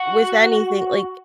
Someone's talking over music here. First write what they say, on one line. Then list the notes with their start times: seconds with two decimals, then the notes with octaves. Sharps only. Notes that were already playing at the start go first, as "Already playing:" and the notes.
with anything like,
Already playing: F#4